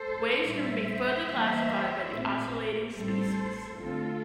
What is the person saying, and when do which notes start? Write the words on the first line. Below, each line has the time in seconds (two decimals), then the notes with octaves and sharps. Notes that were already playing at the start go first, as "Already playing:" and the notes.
Waves can be further classified by the oscillating species.
Already playing: A4 C5
0.47 A#2 G3 A#3 C5 E5
1.29 E3 G3 A#3
2.11 A#2 A3 C4
2.94 A2 G3 C4 A4 C5
3.76 D3 A3 C4 F4 A4